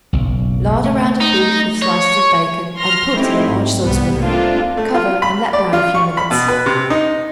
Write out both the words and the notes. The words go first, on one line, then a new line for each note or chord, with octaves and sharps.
Lard a round of beef with slices of bacon and put in a large saucepan. Cover and let brown a few minutes.
F#1 B1
A3
D#4
C#5
C6 F6 A#6
G#3 A3 C4 D#4 E4 G4
G#1
C2 G3 B3
A3 A#3 C4 D4 F4
A3
F4
B5
D5
F4
C#6
B5
B2
B4
C3
D#4